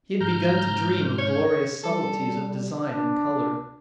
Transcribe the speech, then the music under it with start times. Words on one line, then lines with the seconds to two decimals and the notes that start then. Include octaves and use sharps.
He had begun to dream of glorious subtilties of design and colour.
0.20 G#2 A#5 F6 G6
1.19 C#5
1.84 G3 A4
2.86 D4